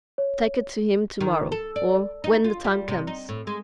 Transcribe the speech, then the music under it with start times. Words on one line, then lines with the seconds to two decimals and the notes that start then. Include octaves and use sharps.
Take it to him to-morrow or... when the time comes.
0.18 C#5
1.20 D#3
1.52 A4
1.76 D5
2.24 D#4
2.44 F4
2.64 G3
2.88 C3
3.07 D#4
3.29 A2
3.47 G#3